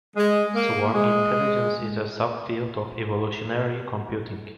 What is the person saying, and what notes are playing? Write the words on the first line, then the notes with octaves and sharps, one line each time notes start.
Swarm intelligence is a sub-field of evolutionary computing.
G#3
A#3
G#3